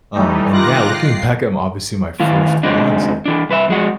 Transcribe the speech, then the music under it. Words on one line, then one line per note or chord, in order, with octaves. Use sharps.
Um, and, yeah, looking back, I'm obviously my first ones, like,
E3 G3 A3 D#4
D#3 F4 D6 F#6 A#6
C7
A2 D#3 E3 E4 F5
C#3 G#3 C4 D4 D#4
E3 D4
C2 B4 C5 E5
F2 G#3 F#4